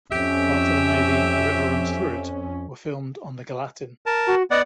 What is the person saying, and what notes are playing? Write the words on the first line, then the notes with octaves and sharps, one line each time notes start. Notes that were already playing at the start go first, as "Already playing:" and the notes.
Parts of the movie "A River Runs Through It" were filmed on the Gallatin.
F2 C#4 G4 E5
A#4 A5
F#4
B3 D5 D#5 F#5